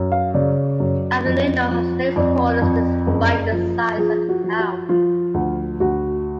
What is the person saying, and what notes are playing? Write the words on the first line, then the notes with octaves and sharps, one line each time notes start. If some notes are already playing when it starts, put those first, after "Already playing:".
Avellino has many supporters despite the size of the town.
Already playing: F#2
F5
C#3 D5
F#2
F2
F3
F2 D5
F2
F#1
F3
F3 G#4
F#4
F3
F#4
F3 F4
D2
D2 F#4